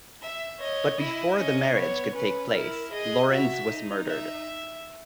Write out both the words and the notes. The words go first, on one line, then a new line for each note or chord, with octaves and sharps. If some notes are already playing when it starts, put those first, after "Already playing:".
But before the marriage could take place, Lorenz was murdered.
E5
C#5 D#5
E4 D#5
C#4 D#5
B3 C#5
C#4 B4
E4 A#4
G#4 D#5
F#4 E5
D#4
E5